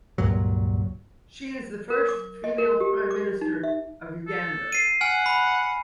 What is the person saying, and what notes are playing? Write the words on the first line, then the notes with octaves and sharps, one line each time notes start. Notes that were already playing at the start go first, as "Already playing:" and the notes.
She is the first female prime minister of Uganda.
C#2 G2 A#2 F#3
A#4
D6
D#5
A#4
G4
D6
D#4
E5
A4
C7 D#7
F#5 G#5 F6
B5